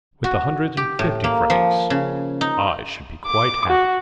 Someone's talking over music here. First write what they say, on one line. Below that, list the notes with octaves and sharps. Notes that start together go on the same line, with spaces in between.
"With a hundred and fifty francs I should be quite happy."
F#4
G4
A2
A#3
F3
C#3
D#4
D6
F#4